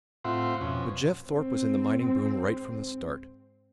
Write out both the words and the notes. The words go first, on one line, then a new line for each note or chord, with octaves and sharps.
But Jeff Thorpe was in the mining boom right from the start.
A2 C4 F4 E5 F#5 C6
F2 B2 C#4
G#2 C4